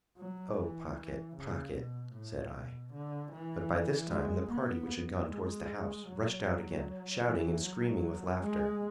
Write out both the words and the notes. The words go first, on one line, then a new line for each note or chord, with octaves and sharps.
"Oh, Pocket, Pocket," said I; but by this time the party which had gone towards the house, rushed out again, shouting and screaming with laughter.
F#3
E3
E3
C#3
B2
A2
B2
D3
E3
G#3
B3
G#3
F#3
E3
F#3
G#3